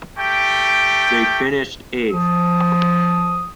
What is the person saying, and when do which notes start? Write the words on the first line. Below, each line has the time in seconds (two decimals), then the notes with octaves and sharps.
They finished eighth.
0.18 A3 G4 G5
2.11 F3 D#6